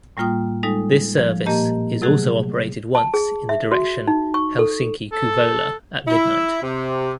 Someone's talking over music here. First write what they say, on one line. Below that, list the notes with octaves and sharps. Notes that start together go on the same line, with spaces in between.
This service is also operated once in the direction Helsinki–Kouvola at midnight.
A2 G3 A#3 F4 G5 D#6
G3 G#3 D#4 A4
F3
A#2 A#3 G4 D#5 A5 A#5
C3 F#3 A3 G#4 F#6
A5
G#4
E5
F#4
D#4
C#6
A4
A4
E4
C3